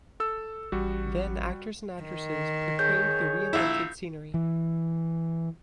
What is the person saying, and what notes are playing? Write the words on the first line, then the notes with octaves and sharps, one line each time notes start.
Then actors and actresses portrayed the reinvented scenery.
A4 E6
A1 G3 F#4
D#3
G#4 C#5 G6
A#1 E4
E3